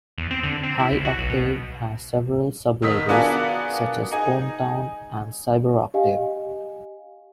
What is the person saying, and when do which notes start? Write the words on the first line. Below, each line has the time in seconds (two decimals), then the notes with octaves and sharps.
High Octave has several sub-labels, such as OmTown and CyberOctave.
0.18 E2
0.31 C4
0.43 D3
0.63 C4
0.79 E4
0.92 C#2
1.05 F#4
1.18 B1
1.30 B2
2.82 F1 D#3 D#6 B6
3.09 B3 D4 F4 F#4 G#4 A#4
4.11 D#4 G#4
5.94 G4 D#5 F5 G#5